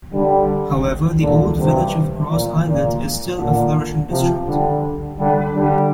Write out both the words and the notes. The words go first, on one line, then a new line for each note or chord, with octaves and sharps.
However the old village of Gros Islet is still a flourishing district.
D3 G3
A#2 D3
G2 C3
A#2
A#2
A#2 D3
C3 F3
D3 G3
D3 G3
D3 G3